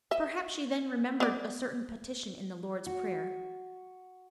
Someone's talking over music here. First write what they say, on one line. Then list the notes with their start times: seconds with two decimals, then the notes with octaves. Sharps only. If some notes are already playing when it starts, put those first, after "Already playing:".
Perhaps she then remembered a certain petition in the Lord's prayer.
0.11 D#5 E5
1.20 B3 D5
2.86 F#4